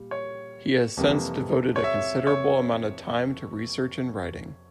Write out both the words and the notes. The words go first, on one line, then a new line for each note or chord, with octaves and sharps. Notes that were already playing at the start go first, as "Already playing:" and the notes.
He has since devoted a considerable amount of time to research and writing.
Already playing: A#2 G3
C#5
F2 C3 E3 G3 A#3
C#5
E5
C#5